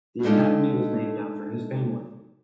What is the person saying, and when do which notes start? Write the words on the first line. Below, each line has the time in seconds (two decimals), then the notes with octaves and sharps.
The Academy was named after his family.
0.23 G#3 A3 D4 D#4 F4 G4